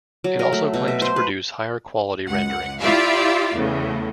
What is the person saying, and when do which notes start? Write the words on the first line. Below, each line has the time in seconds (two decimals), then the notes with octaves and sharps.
It also claims to produce higher quality renderings.
0.24 F#3
0.39 A#4
0.52 A3
0.74 B2
0.88 E5
1.02 C5
1.16 B4
2.27 C#2 F#5
2.80 E4 F4 G4 D5 E5 F5
3.56 E2 A2 C#3